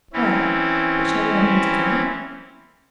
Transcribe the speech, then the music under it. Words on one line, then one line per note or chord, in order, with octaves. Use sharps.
"Well, but shall we not meet again?"
E3 C4 C#4 E4